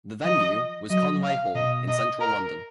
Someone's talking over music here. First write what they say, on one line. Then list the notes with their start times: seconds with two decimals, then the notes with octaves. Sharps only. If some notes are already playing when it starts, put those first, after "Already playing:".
The venue was Conway Hall in central London.
0.24 F3 D#5
0.90 F#3 D#5
1.23 F5
1.55 B2 D#5
1.88 D#5
2.20 A#4